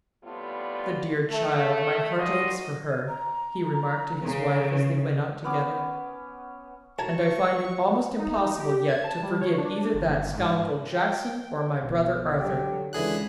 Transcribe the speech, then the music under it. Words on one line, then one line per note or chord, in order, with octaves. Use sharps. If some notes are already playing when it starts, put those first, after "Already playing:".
"The dear child; my heart aches for her," he remarked to his wife, as they went out together, "and I find it almost impossible yet to forgive either that scoundrel Jackson or my brother Arthur."
F2 A2 G3 B3 F4 D5
A3
G#2 D#3 F4 F#4 D5 D#5
A#5
C#3
B3 C#4 D6
F#3 A#4 C#5 A5 A#5 C#6
D#4
G4
G#6
A5
G3
C#5
D4
G1
G#2
G5
B1
D3 F#3 G4
C#2 D3 E3 G#4 F#6